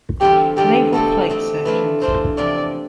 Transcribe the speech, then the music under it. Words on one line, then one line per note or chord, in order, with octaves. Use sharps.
Naval Flight Surgeons.
E2 D3 G3 C4 F4 G4
E2 D3 G3 C4 F4 G4
B2 A3 C4 G4 A4
B2 A3 C4 G4
E3 A3 D4 F4 B4
E3 A3 D4 F4 C5
E2 C3 F3 C4 D5